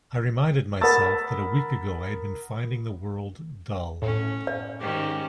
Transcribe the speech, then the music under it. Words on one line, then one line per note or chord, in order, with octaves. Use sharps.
I reminded myself that a week ago I had been finding the world dull.
A#4 F#5 B5 D#6 E6 A6
A2 C#4
D5
G#2 D#3 C#4 G4